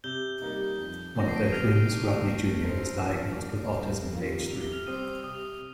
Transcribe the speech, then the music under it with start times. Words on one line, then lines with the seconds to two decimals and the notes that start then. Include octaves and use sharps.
One of their twins, Rodney Junior was diagnosed with autism at age three.
0.04 C3 G6 G7
0.42 G3 A#3 D#4
0.78 F2
1.16 D3 F3 A3 D#4 A#6
1.28 C7
1.36 D7
1.44 D#7
1.52 C3 F6 F7
1.90 D#3 A3 D4 G4
2.27 A3
2.63 D#4 A4 C5
3.01 F3
3.37 A#3 D4
3.76 G2
4.13 D#3 G3 A#3 F4
4.49 C3 F7
4.61 G7
4.72 F6 F7
4.86 G3 C4 G4 D#6 D#7
5.23 C3 D#6 D#7